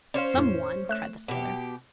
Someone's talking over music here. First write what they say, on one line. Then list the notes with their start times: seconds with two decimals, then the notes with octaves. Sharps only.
"Some one," cried the sailor.
0.14 C#4 C5 D5 F5
0.34 F2 A2
0.89 A3 F#6 E7
1.28 B2 G4